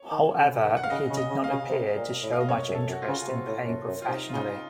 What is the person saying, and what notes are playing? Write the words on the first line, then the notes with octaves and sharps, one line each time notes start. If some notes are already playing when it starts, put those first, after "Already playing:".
However, he did not appear to show much interest in playing professionally.
Already playing: C#5
D#3
C#3
D#3
F#5
F5
C#3 D#5
C#3
D#5
C#3
F5
C#3
C3
A#2
A2
F5
D#5
F#2 C#5
F#2
A4
F#2
F#4
F4
C#3
C3 F4
A2
F#2
F#2
F4
C3 D#4
F4
C#3 D#4